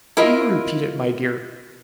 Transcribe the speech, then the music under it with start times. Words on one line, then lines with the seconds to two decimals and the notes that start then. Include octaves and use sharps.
Will you repeat it, my dear?'
0.17 E4 F4 A#4 D#5